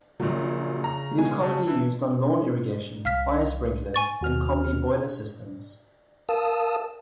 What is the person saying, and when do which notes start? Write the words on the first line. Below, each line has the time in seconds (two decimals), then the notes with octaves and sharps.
It is commonly used on lawn irrigation, fire sprinkler and combi-boiler systems.
0.20 A#1 A#2 C#3 F#3
0.84 A#5
1.18 B2 G#3 G#5
1.40 C#3 A5
1.66 E3
3.05 C2 F5 F6 B6
3.94 G#5 C#6 A6
4.21 D#2 F#4 F6
6.29 A#4 F5 A5 D#6 E6